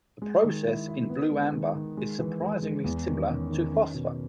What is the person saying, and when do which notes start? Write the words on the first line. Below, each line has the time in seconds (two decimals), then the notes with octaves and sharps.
The process in blue amber is surprisingly similar to phosphor.
0.22 G#3
0.44 D#3
0.66 E4
0.88 E4
1.10 B3
1.31 G#3
1.53 D#3
1.75 D#3
1.97 G#3
2.19 E3
2.41 G#3
2.63 G#3
2.84 E2
3.06 D#3
3.28 C#4
3.50 D#3
3.72 C#4
3.94 B2